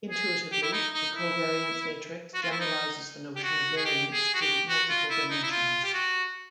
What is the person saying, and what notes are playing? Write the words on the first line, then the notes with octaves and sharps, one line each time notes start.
Intuitively, the covariance matrix generalizes the notion of variance to multiple dimensions.
G#4
G4
E4
D#4
D#4
E4
F#4
F4
E4
D#4
G4
F#4
G#4
G4
G#4
F#4
G4
F#4
F4
E4
D#4
E4
F4
G4
F#4